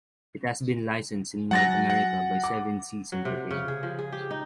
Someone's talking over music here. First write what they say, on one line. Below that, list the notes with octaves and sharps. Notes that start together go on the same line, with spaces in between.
It has been licensed in North America by Seven Seas Entertainment.
F#3 F#5 G#5 F#6 A6 A#6
F#5
D6
F#3
C3
C#3
G#4
F3
G#4
G4
D#4